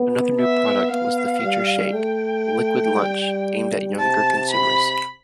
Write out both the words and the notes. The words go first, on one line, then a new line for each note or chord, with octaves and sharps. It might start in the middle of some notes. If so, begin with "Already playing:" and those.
Another new product was the Future Shake, a "liquid lunch" aimed at younger consumers.
Already playing: B3
E5
B3 F5
G3
A3 G5
G3
C3 A5
B5